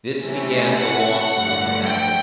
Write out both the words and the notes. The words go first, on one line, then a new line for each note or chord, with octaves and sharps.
This began the loss of the battle.
C3 E3 A3 C#4
F#5
G2 D3 F3 A3
G5